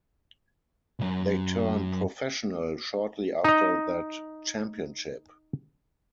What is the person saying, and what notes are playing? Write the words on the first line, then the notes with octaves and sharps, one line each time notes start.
They turned professional shortly after that championship.
B1 F#2
D#4 D#5